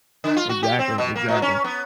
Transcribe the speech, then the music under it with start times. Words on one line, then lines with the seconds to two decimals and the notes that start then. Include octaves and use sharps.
Exactly, exactly.
0.24 D3
0.37 F4
0.49 F#4
0.63 G4
0.79 C4
0.98 B2
1.16 A#3
1.28 A#2
1.42 C#4
1.64 B3